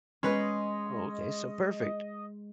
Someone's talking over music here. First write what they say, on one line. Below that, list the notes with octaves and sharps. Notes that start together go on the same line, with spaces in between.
Oh, okay, so perfect.
G#3 C#4 B4 D#5 C6